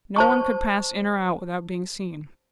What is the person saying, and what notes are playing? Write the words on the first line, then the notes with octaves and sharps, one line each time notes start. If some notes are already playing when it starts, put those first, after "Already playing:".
No one could pass in or out without being seen.
C5 A5 C#6